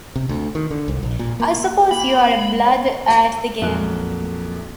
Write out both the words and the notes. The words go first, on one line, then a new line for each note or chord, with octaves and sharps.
I suppose you are a blood at the game?
C3
D2
D#3
D3
C2
A#1
A#2
A#3
A#3 B5
C#5
A#1 F2 F#3 A#4 F#6